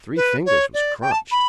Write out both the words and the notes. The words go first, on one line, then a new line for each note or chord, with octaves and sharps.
Three fingers was crunched.
B4
C#5
D5
G5
A5
B5